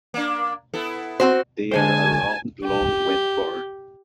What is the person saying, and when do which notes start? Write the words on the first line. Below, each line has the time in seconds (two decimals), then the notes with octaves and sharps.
They are around long when born.
0.14 A#3 D4
0.74 B3 E4 A4
1.20 C4 F#4 C5
1.71 D3 G#3 C5 G#5 A5
2.64 G4